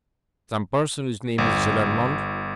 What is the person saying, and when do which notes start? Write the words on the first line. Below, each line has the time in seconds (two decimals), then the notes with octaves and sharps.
"Some person whose name is Gillenormand?"
1.38 G1